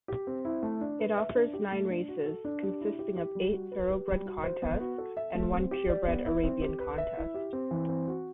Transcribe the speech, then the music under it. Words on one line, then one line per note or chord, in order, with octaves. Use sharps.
It offers nine races, consisting of eight Thoroughbred contests and one Purebred Arabian contest.
G4
C4
E4
A3
D4
B4
E5
D4
G4
A3
D4
F#4
A4
D4
G4
E4
G4
G4
G3
F#4
B4
G4
G3
F#4
C5
B3
F#4
A4
E5
A3
C4
G4
D5
B3
E4
C4
G4
B4
E5
E4
G4
C4
E3
C4
F#4